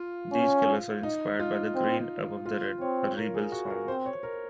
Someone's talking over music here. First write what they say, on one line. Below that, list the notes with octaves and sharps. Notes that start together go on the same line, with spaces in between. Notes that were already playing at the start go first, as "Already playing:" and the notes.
These colours are inspired by "The Green Above The Red", a rebel song.
Already playing: F4
C#4
D#4
F4
C4
F4
C4 C#5
A#4
G#4
F#4
A#4
C4 C5
C#5
A#4